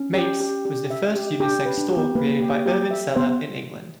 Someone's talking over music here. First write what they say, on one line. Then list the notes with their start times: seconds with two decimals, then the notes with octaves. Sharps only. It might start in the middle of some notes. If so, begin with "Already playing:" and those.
'Mates' was the first unisex store created by Irvine Sellar in England.
Already playing: C#4
0.15 G4
0.40 G4
0.65 G4
0.90 E5
1.15 G4
1.40 D4 G4
1.59 C#4
1.65 B4
1.77 D4
1.91 G4
1.97 B3
2.15 A#3 B4
2.41 G4
2.66 G4
2.91 E5
3.16 B3 C5